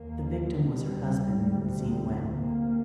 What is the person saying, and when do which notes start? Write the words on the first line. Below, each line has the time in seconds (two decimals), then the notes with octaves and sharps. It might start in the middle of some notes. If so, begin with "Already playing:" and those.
The victim was her husband Zi Wen.
Already playing: D#2 A#3
0.57 G3
1.37 D2 C3
2.16 A#3